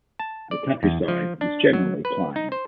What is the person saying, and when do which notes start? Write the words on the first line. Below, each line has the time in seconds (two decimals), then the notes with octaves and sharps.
The countryside is generally plain.
0.19 A5
0.51 D5
0.83 E2
1.08 F3
1.41 D4
1.73 F#3
2.05 B4
2.36 D#4
2.52 C5